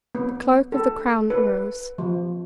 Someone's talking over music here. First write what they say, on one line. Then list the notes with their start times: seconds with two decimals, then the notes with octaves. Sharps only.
The Clerk of the Crown arose.
0.15 B3
0.72 A4
1.30 B4
1.98 F3